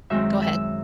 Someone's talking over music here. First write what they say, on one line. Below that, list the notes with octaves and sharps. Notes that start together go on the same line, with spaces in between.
Go ahead.
F#2 D#3 G#3 C4 E5
E5